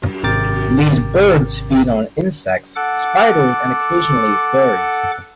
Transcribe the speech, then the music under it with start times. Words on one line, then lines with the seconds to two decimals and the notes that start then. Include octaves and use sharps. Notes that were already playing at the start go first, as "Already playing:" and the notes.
These birds feed on insects, spiders and occasionally berries.
0.23 G#1 C3 A#4 G5 D6 A6
2.76 A4 F#5 D6